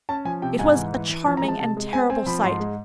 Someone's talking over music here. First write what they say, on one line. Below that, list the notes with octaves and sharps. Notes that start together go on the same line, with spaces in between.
It was a charming and terrible sight.
C#4 A5
F3 G#5
C3 G5
G#2 G#5
E3
E3
E3
F3 A5
A#5
G#3
A5
C3 A5
G#3
C4 G#5
C4 G#5
F3 B5
G#2 C6
G#3